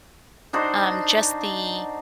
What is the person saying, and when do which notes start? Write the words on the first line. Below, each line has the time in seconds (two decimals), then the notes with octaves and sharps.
um, just the,
0.53 D4 D#4 F#4 C5